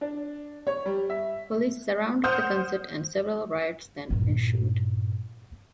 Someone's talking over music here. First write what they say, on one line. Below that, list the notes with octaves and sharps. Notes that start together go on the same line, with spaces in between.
Police surrounded the concert and several riots then ensued.
D4
C#5
G3
E5
C5 F#5 D#6 F6 G6
G2 A#2